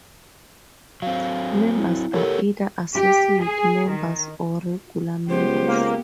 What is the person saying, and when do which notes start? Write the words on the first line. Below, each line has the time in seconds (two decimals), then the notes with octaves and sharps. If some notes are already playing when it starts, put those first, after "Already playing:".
Members are either associate members or regular members.
1.02 F#3 C4 F5
1.79 E4
2.13 A#3 G4 A4 A#4 C#5 F#5
2.95 G4
3.42 G#4
3.90 D#3
5.29 C#2 B3 G4 C5
5.67 A#3